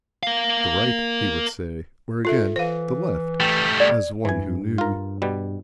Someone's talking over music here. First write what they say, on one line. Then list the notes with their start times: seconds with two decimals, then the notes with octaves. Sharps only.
"The Right," he would say. Or again "The Left," as one who knew.
0.23 A#4 F5
2.25 F4 A4 E5
2.56 E3 C5 F5
3.40 G3 A3 G5
3.80 D5
4.25 G2 E3 G#5
4.78 F4 A#4
5.22 B2 G3